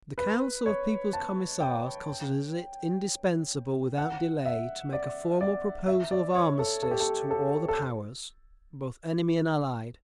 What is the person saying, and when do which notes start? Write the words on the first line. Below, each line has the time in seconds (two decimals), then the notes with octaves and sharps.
The Council of People's Commissars considers it indispensable without delay to make a formal proposal of armistice to all the powers, both enemy and Allied.
0.18 B4
0.66 C#5
1.13 A5
1.60 G5
3.98 F#5
4.46 E5
4.93 D5
5.41 D5
5.88 E5
6.11 D5
6.35 C#5
6.59 A4
6.83 A4
6.91 G4
7.00 A4
7.31 A4
7.68 A4